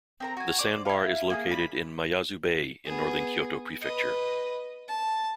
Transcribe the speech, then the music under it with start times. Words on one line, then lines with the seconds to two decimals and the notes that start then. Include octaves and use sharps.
The sandbar is located in Miyazu Bay in northern Kyoto Prefecture.
0.20 C4 A#4 A#5
0.37 F#4 G#5
0.59 C5 D5 D6
0.85 E4 F5
1.30 A#3 F#4 G#4
1.50 D5 B5
2.85 B3 G#4
3.82 B4 D#5
4.88 A5